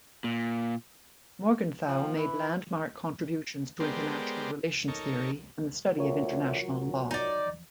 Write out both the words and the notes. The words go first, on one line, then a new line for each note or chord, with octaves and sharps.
Morgenthau made landmark contributions to international relations theory and the study of international law.
A#2
F3 F5 G5
E3 B5
G#3 B3 G4 A#4 C5 D5
D#4 A4 A#4 C#5
D2 F4 A#4 C#5
F#3
D#4 D5